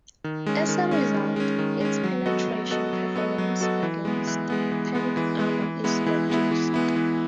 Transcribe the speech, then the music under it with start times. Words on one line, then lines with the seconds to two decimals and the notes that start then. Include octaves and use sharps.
As a result, its penetration performance against tank armor is reduced.
0.24 D#3
0.46 G#3 C#4
0.69 D#3
0.91 G#3 C#4
1.14 D#3
1.36 G#3 C#4
1.59 D#3
1.81 G#3 C#4
2.04 F#3
2.26 B3 F#4 A4 D#5
2.48 F#3
2.71 B3 F#4 A4 D#5
2.93 F#3
3.16 B3 F#4 A4 D#5
3.38 F#3
3.61 B3 F#4 A4 D#5
3.83 E3
4.05 G#3 B3
4.27 E3
4.50 G#3 B3
4.72 E3
4.95 G#3 B3
5.17 E3
5.39 G#3 B3
5.62 E3
5.84 G#3 B3 E4
6.06 E3
6.29 G#3 B3 E4
6.52 E3
6.74 G#3 B3 E4
6.96 E3